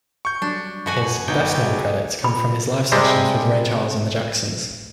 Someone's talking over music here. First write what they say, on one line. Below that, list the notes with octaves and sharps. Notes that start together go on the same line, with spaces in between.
His best-known credits come from his live sessions with Ray Charles and the Jacksons.
C#6 G6
F#3 G3 D4
F#2 B2 F#4 G#5
G1 D#4 G5
F#4 G#4 E5
B5
C3 G3 G#3